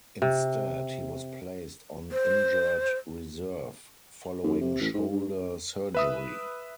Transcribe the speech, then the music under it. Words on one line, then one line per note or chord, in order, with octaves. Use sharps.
Instead, he was placed on injured reserve following shoulder surgery.
C3
C5
D#2
C3
A1
G#2
G2
B4 E5 D#6